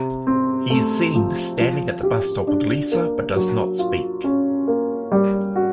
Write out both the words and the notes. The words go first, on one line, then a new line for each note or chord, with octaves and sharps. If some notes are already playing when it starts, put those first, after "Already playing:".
He is seen standing at the bus stop with Lisa, but does not speak.
Already playing: C3
C4
A3
F3
F3
G4
D4
A#3
F#3
F4
C#4
A#3
G3
F#4